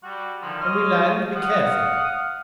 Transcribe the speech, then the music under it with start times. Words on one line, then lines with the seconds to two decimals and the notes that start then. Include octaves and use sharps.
When we land, be careful.
0.04 G3 F#4
0.42 D3 D#3 F3
0.62 C#5 D#5 C6 F6
1.36 F5 F#5 D#6